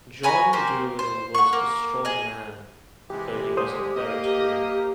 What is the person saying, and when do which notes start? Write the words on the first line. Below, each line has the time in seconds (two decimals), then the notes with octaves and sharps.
John Dolittle was a strong man, though he wasn’t very tall.
0.23 F#4 G#5 A#5 B5
0.53 A#3 G4 C5
0.99 C5
1.35 F#5 C#6
1.53 A#3
2.05 G#4 D#5
3.10 C3 E3 G#3 G4
3.57 D#2 D3 G#3 C5 D#6
3.96 A#3 D#5